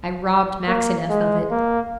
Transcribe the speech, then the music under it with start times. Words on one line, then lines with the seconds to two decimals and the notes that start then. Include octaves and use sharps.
I robbed Maxineff of it.
0.67 A#3
1.09 G#3
1.51 A#3